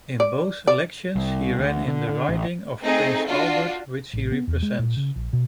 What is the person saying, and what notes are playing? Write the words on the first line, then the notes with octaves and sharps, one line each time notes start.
In both elections, he ran in the riding of Prince Albert which he represents.
D5
D5
C2
D2
D3
D3
A1
A3 C4 D#4 G#4
D4 F4 F#4
A1
B3
E2
G#3
A#2
C#3
A#1
B2